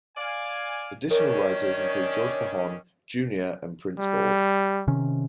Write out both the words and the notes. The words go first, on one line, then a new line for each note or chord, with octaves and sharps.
Additional writers include George Pajon, Junior and Printz Board.
D5 F5 G#5
D#3 C#4 D4 A#4 C#5
G3
C3 D#3 C#4